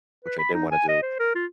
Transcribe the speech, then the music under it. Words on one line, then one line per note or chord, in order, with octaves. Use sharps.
which I didn't wanna do."
B4
B5
D#4
G#5
D#5
C5
A#4
F4